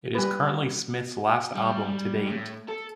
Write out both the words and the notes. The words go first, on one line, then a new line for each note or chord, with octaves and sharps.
It is currently Smith's last album to date.
G3 B4
G3
A2
A4